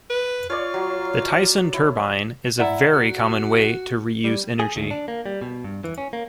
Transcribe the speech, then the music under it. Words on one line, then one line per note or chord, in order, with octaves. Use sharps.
The Tyson Turbine is a very common way to reuse energy.
B4
F4 C#5 D5
F#3
E4
E4 D5 F#5 A#5
F#4
G3
G#4
D2
D4
A#3
G3
B2
G2
E3
C#4
A#3